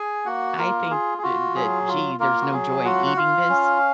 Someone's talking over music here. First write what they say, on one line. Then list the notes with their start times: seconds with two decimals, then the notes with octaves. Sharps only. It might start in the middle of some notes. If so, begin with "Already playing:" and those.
I think, eh, that, "Gee, there's no joy in eating this"
Already playing: G#4 G#5
0.26 A#3 F#4 F#5
0.58 A#3 F4 A#4
0.91 F4 G#4
1.18 G#4
1.23 F4 F#4
1.55 F#3 G#4
1.88 F4
2.20 A#3 F4 A#4
2.42 F#4
2.52 F#3 G#4
2.85 F4 F#4 F#5
3.06 F#5
3.17 F4 F5
3.49 C#4